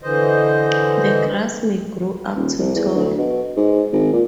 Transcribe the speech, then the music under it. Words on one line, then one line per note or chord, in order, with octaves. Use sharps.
The grass may grow up to tall.
D3 E3 C5 D#5
D#1
C2
E2
D2
B2
G#2
G#1
A#2